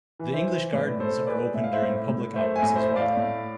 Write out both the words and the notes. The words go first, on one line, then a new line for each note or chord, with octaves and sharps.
The English gardens are open during public hours as well.
E3
C5 E5
E3
A2 B4 D5
A2 A4 C5
G#3 B4 D5
A2 E5
F5
C5 E5
A2
A2
A3 C5 E5
E5 G#5
A2
C5 E5
A3
D5 F5
A2